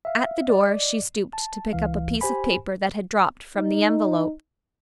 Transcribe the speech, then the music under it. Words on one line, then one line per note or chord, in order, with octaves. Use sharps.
At the door she stooped to pick up a piece of paper that had dropped from the envelope.
E5 F5
D5 D#5
A5
C#2 E3 F5
G4 C5 G#5 B5
D#4